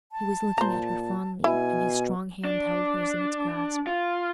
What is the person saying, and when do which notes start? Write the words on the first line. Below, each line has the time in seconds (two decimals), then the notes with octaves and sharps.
He was looking at her fondly, and his strong hand held hers in its grasp.
0.12 A5
0.58 A#2 C5 A#5
1.44 B2 E4 G#5
2.45 D4
3.87 F4